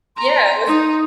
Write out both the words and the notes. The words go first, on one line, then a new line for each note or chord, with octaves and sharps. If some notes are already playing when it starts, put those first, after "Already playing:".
Yeah, it was mm,
A#5 C6
D#4